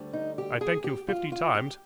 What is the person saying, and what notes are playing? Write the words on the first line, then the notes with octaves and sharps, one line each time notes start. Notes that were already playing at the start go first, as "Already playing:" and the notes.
I thank you fifty times.
Already playing: D2 D3 G3
D#4
G4
G#4
G4
F4
F4
G4